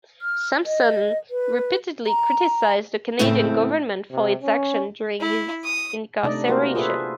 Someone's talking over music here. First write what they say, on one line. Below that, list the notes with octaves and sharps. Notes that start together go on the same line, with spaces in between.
Sampson repeatedly criticised the Canadian government for its actions during his incarceration.
F6
D#5
B4
A#5
A2 C#3 A3 C4
C3
C#4
E4
D#6
C3 A3 D4 D#4 D5 D#5
A#3 F#4 G4 A#4 C5
F4 G#4 A4 B4 C5 E5